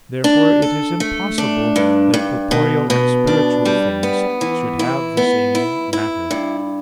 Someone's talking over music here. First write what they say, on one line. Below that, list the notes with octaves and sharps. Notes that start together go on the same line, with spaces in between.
Therefore it is impossible that corporeal and spiritual things should have the same matter.
D4
A4
A3
D4
G2
G2
B2
B2
D4
G3
B3
E3
E4
B3
E4
E4
G2